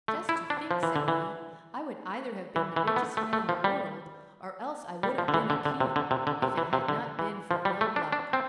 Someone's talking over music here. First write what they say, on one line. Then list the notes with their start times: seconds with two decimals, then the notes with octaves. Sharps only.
"Just to think!" said he, "I would either have been the richest man in the world, or else I would have been a king, if it had not been for Ill-Luck."
0.08 A3
0.29 E4
0.50 D4
0.71 F3
0.83 E3
0.96 D3
1.08 E3
2.56 E3
2.76 E3
2.88 A3
2.96 B3
3.17 A3
3.33 A3
3.49 F3
3.64 G3
5.03 G3
5.18 F3
5.28 D3
5.34 E3
5.50 D3
5.65 D3
5.80 C3
5.96 D3
6.11 C3
6.27 D3
6.42 C3
6.58 E3
6.73 C3
6.88 D3
7.19 E3
7.51 F3
7.65 G3
7.81 A3
7.96 D4
8.12 D4
8.33 C4